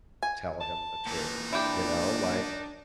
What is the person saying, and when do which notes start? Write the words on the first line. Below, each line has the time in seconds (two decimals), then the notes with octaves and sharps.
tell him the truth?" You know, like,
0.23 G#5
0.61 A5
1.07 A#2 E3 D#4
1.53 D4 E4 G4